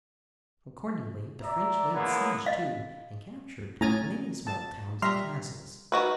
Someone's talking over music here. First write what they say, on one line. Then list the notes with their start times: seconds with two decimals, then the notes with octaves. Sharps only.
Accordingly the French laid siege to and captured many small towns and castles.
1.42 D5 E5 A#5
1.94 G#3 A#3 B3 C#4 E4 C#5
2.46 D#5 F5
3.81 A2 C#4 G#5 A#5 A6
4.47 A5
5.02 G3 E5 A#5 C6 F6
5.92 D#3 F#4 B4